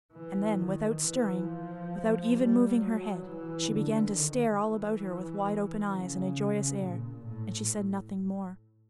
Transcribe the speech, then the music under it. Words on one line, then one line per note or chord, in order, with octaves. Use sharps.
And then, without stirring, without even moving her head, she began to stare all about her with wide-open eyes and a joyous air, and she said nothing more.
E3
D#3
E3
F3
G3
F#3
E3
D3
D#3
E3
C#3
A#2
A2